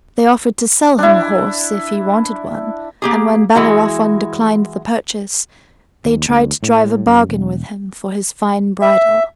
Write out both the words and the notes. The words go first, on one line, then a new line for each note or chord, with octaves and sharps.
They offered to sell him a horse, if he wanted one; and when Bellerophon declined the purchase, they tried to drive a bargain with him for his fine bridle.
D4 E4
A#3 G4 G#4
E3 G#3 E4 F#4
D#2
D2
A2
F#2
E1
E5